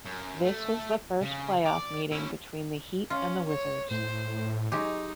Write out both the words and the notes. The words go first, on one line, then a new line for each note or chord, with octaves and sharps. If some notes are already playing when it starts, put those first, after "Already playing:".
This was the first playoff meeting between the Heat and the Wizards.
F#2
A3
C#3
D5
C#4 E4
C#4 F4
C#5
A2 C5
F#3 G#3 D#4 G4